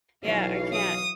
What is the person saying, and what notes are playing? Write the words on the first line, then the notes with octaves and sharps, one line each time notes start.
yeah I can't,"
B1 E3 F#3 C#5 F5
D#6